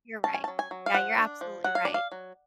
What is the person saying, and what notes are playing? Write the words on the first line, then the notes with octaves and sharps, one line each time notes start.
You're right. Yeah, you're absolutely right.
C#4 A5
G#5
A5
F#3
G#5
F#3
F5
F3 F#5
D4
F3
F#3 F#5
F5
D4 D5
F5
F#3